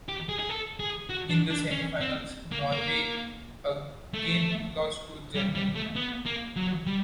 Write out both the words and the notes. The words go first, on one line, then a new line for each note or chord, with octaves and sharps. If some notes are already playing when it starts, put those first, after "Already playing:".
In the semi-finals, Norway again lost to Germany.
G4
G#4
G#4
A4
G#4
F#4
D4
D4
C#4
C4
A#3
A#3
A3
G3
G3
A3
B3
A#3
F#3
G3